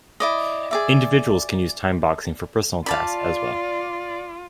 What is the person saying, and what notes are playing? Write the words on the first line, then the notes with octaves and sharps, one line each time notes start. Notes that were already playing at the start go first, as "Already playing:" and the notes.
Individuals can use timeboxing for personal tasks, as well.
E4 D5 D#5
G#4 D5 E5
F4 D5 F5 A5 B5